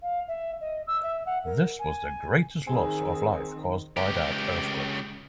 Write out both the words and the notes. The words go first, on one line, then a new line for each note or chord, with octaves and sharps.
This was the greatest loss of life caused by that earthquake.
F5
E5
D#5
E6
E5
F#5
A#4
G#5
D#3 C4 G#4 G#5
C#2 G4